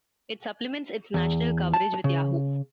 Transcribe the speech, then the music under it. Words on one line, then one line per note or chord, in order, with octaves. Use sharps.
It supplements its national coverage with Yahoo!
E2
A5
C#3